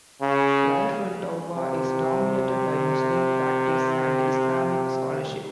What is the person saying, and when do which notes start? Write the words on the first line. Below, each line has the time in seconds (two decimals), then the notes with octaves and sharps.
Life in Touba is dominated by Muslim practice and Islamic scholarship.
0.22 C#3
1.56 C3